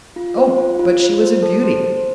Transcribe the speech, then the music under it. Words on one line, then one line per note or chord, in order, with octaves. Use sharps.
Oh! but she was a beauty!
F4
C5
F4
F4
F4
C5
A4
C5
C5